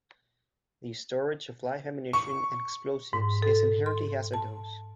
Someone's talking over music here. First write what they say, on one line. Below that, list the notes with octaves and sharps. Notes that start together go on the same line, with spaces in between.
The storage of live ammunition and explosives is inherently hazardous.
C#6
G#2
A4
C6
A5